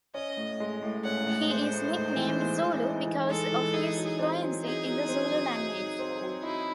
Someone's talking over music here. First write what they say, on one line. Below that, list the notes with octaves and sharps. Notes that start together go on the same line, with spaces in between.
He is nicknamed "Zulu" because of his fluency in the Zulu language.
C#4 D#5
A2
G#3
A2
C#4 F#5
A2
G#3 C5
A2
D#4
E3
G#3
E3
D#4
E3
G#3 A4
E3
D#4 G#4
F#3
G#4
C4
F#3
D#4 G#4
F#3
C4
F#3
D#4
F#3
C4
F#3
D#4 E4